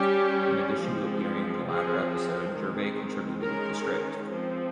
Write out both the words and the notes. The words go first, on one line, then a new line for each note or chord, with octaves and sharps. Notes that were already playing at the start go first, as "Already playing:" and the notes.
In addition to appearing in the latter episode, Gervais contributed to the script.
Already playing: G3 C#4 G4
F3 G#3 C4
F3 C4 G#4
D#3 G#3 C4
D#3 G#3 C#4 A#4
F3 C4